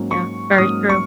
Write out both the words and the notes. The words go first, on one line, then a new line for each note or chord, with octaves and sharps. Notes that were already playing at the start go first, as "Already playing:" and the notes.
Yeah, very true.
Already playing: G#2 F#3 A#3 C#4
C#6
F6
G#2 F#3 A#3 C#4 D#6
C#6